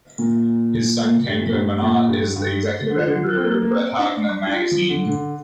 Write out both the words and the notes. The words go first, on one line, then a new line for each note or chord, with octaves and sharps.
His son Tanguy Monnat is the executive editor of Bretagne Magazine.
A#2
G2
A#2
G2
A#2
G2
G2
D3
F3
D3
F3
C4
A#3
A#3
C4
D4
D4
F4
F3
D3
D3